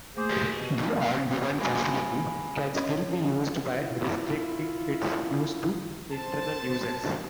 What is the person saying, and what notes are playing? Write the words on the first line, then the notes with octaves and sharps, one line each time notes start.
The on-demand facility can still be used by restricting its use to internal users.
A3 A#3 G#4 C5 D6
G4
B2
F#3 G#3 A#3 G#5 B5
C#4 D#5
E4 F4
C5 A5